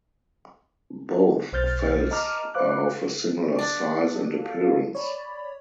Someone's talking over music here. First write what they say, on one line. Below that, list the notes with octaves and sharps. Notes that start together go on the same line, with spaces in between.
Both fells are of a similar size and appearance.
B1 C5 F6 G6 A6
D#5 A5 A#5 D6 F6
B4 C5 F5 D6 F#6
D4
A4 F5
C#5 D5 B5